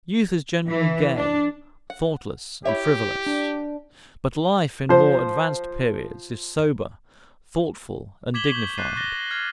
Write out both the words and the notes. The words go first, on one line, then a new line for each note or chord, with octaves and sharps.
Youth is generally gay, thoughtless, and frivolous; but life, in more advanced periods, is sober, thoughtful, and dignified.
E3
D4
F#5
E4 G4 C#5 E5
D4
F3 C5
D6 G#6 B6 E7 F#7 G7
C#6 G6
F#6 G6 A6 C7 D#7
C#6 D6 F#6 A6 A#6 G7
G7
F6 G#6 C7